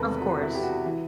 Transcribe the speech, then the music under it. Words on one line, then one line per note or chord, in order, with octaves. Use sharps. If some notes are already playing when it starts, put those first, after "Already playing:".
Of course.
Already playing: E1 E2 C3 D#3 A4 B4
F#4
F#4
E4
G4
F#4
E3